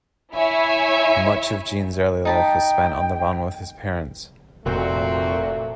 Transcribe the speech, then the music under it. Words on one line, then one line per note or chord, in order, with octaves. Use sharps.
Much of Jean's early life was spent on the run with his parents.
E4 C#5 E5 G#5
D#4 G5 A5 B5
F1 A#2 A3 C4 F#4